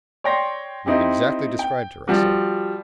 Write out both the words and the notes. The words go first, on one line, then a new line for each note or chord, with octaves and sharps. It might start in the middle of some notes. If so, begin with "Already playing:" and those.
"You have exactly described her," I said.
C#5 D5 G5 C6 A#6
C4 D#4 E4 G4
G5
F3 G3 F#4